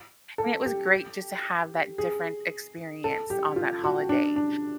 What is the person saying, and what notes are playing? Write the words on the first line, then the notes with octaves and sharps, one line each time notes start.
and it was great just to have that different experience, on that holiday.
A4
G4
G#4
A4
G4
F4
F#4
D4
D4